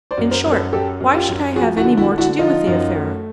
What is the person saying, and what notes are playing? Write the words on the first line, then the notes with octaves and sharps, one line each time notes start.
In short, why should I have any more to do with the affair?
C5 D5
F#2
A#4 C5
F#2
A4 B4
F#2 G4 A4
F#2
F4 G4
F#2
F3 F#4 G#4
E4 F#4
D3
E4 F#4
D3
E4 F#4
F3 D#4 F4
F#2
A3